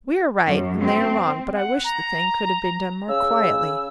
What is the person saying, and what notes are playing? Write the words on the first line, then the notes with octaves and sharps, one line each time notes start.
We are right and they are wrong, but I wish the thing could have been done more quietly.
F#2
C4
F#5
A#5
C#3 E6